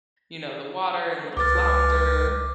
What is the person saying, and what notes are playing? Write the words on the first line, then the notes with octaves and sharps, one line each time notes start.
you know, the water and little Flounder,
C#2 B4 D6 F6 A6